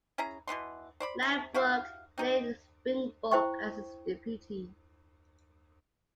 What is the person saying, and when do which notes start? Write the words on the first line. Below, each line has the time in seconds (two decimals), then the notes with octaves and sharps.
Langbroek named Springborg as his deputy.
0.18 C#4 E4 G#4 A#5
0.47 B2 E3 B3 C6
1.00 C5 D5 B5
1.23 C3
1.54 E4 F#4 G4 F5
2.18 C4 D#4 G4
3.32 E4 C5 G5 C#6